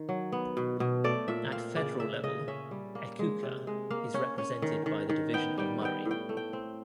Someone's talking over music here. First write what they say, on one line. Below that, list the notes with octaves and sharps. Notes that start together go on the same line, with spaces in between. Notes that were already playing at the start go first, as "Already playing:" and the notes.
At federal level, Echuca is represented by the Division of Murray.
Already playing: D#3
F#3
B3
B2
B2
A3 D5
A#2 E5
C4 F5
C#3 D5
C#3 E5
C#3 D#5
C#4 E5
G3
A#3
G#3
C3
G#3
A#3 F5
C#4
C#4
D#3
D#3
D#3
B3 G5
G3 G5
B3 G5
A2
G5
A3
G5
C4